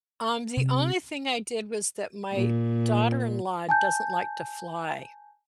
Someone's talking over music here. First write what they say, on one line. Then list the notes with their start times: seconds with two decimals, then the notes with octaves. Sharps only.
Um, the only thing I did was that my daughter-in-law doesn't like to fly.
0.57 C3
2.33 A#2
3.69 G#5 A5 G6